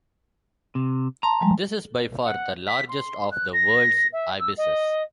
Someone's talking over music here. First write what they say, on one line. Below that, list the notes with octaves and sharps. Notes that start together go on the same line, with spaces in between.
This is, by far, the largest of the world's ibises.
C3
A5 A#5 C6
F3 G3 G#3
F#5
B6
C6
F#6
A#6
E5
E6
D#5